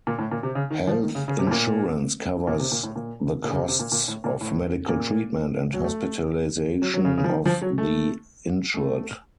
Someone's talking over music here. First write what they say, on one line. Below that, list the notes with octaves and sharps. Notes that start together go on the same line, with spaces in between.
Health insurance covers the costs of medical treatment and hospitalisation of the insured.
A#2
A2
A#2
C3
C#3
D#3
F3
D#3
C#3
C#3
C3
A2
A#2
A#2
C3
A#2
A2
A#2
A#2
C#3
C3
C3
A#2
A#2
A2
A#2
A2
A#2
F#3
A3
F#3
F#3
C#3
C#3
F3
D#3
F3
F#3
A3
A3